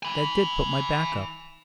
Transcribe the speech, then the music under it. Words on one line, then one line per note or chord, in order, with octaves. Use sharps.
That did put my back up.
G#5 B5